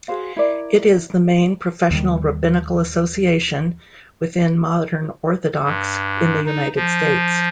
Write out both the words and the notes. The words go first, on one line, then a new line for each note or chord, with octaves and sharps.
It is the main professional rabbinical association within Modern Orthodox in the United States.
F#4 G#4 C5 F5
E4 A#4 D5
D#2 D#3 G3
G2
D#4
F3